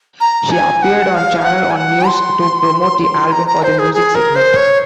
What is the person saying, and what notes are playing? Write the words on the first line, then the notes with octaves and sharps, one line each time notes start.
She appeared on Channel One News to promote the album for the music segment.
A#5
G#5
F#5
F5
F#5
G#5
F#5
C6
A#5
A#5
C5
G#4
G#4
A#4
C5
C#5